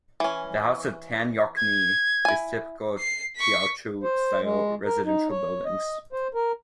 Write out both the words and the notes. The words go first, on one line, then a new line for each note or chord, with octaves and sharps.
The House of Tan Yeok Nee is typical of Teochew-style residential buildings.
E3 C#4
G#6
E4 G#5
C7
C#6 B6
C5
G#3
A#4
D#4
C#5
D#5
C5
A#4